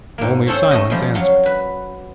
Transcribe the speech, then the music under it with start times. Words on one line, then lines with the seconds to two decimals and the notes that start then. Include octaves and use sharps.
Only silence answered.
0.18 G#2 A#3
0.47 C4 C#4 G#4 A4 C5 C#5
0.71 A3 D#5
0.90 F3 G3 G#3
1.15 F#3 F5
1.46 B4